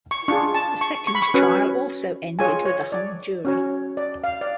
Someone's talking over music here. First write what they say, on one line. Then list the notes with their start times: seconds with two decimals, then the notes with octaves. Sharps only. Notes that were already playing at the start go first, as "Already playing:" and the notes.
The second trial also ended with a hung jury.
0.11 C#6
0.28 D4 F4 G#4 C#6
0.54 A5
0.81 C#6
1.07 C#6
1.15 B5
1.22 C#6
1.34 C#4 F#4 B4
2.39 F4 G#4 C#5 G#5
2.66 C#5
2.92 D5
3.45 C#4 F#4 C#5
3.97 D5
4.24 F5
4.41 D5